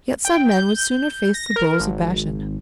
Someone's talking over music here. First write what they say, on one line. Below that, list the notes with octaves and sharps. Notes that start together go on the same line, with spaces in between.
Yet some men would sooner face the bulls of Bashan.
G5
G6
A#6
A#4
G#1